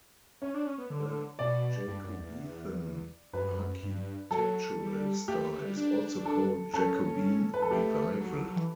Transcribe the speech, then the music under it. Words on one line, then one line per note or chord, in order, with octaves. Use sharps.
The "Jacobethan" architectural style is also called "Jacobean Revival".
C#4 C#5
D4
C#4
B3
D3
B2 D5
G2
F#2
E2
F#2 B4
G2
F#2
G2
F#3 A4
G3
A3 G4
A3
A3
G3
D4
A4
C#4 A4
B4
A4
A3 G4
F#3
F#3
F#3
E3